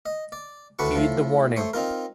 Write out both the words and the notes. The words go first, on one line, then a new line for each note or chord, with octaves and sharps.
Heed the warning.
D#5
D5
D2 A2 D4 F#4 B4 C#6
A2 F3
A3 C5 C#5
C4 D#4 F4 A#4